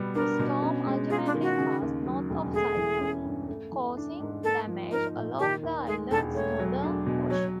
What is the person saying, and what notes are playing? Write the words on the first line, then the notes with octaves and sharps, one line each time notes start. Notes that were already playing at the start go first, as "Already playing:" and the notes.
The storm ultimately passed north of Saipan, causing damage along the island's northern portion.
Already playing: B2 G3 B3
D4 A#4
B2
C#4
G#3
F4 G#4
D4
D#3
F#4
C#3
D#2
F#3
E1
A3 G#4
E3
C#4
G2
A3
E3
D4
G#2
A#3 A4
F3
D#4 A#4
A#2
D#3 G4
D#2
G#3 G#4
E1 A4
A3 C#5
F#3
D4
B2
F#3 C#5